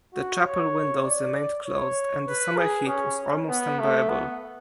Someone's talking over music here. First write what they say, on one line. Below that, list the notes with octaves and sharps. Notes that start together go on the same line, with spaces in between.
The chapel windows remained closed and the summer heat was almost unbearable.
F#4
C#5
D5
C#5
B4
G#4
C#4
B3
A3
B3